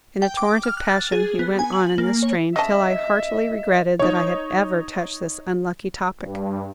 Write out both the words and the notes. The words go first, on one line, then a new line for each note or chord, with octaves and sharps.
In a torrent of passion, he went on in this strain, till I heartily regretted that I had ever touched this unlucky topic.
G5
D6
F6
F#6
A6
G#4
B3
G#5
F#7
A#3
C#5
C#3 D#5 E5 A5
D#4 C#5
G2